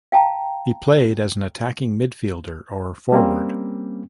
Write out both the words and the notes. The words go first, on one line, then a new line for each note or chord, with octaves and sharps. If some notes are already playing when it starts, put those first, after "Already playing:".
He played as an attacking midfielder or forward.
F5 G5 A5 A#5
G3 A#3 C4 C#4